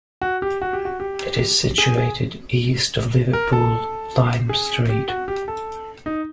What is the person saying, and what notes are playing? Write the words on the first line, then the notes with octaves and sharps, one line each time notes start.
It is situated east of Liverpool Lime Street.
F#4
G4
F#4
G4
F#4
G4
G#4
G#4
A#4
A4
G#4
G4
F#4
G4
A4
D#4